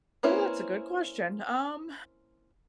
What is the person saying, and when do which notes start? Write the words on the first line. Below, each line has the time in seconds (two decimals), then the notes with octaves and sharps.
Well, that's a good question, um
0.23 A#3 C4 C#4 E4 B4